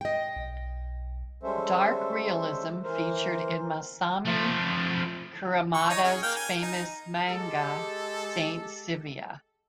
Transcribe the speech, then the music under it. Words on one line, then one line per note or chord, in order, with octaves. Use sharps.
Dark realism featured in Masami Kurumada's famous manga "Saint Seiya".
D#5 G5
B1
G3 G#3 C#4 A4 C5 E5
E3 A#4 C5
F3 A3
C#6
D#4 C#5
C#4 G#4
A#3 F5 G5
G#5
D#4
G#3 G4 A4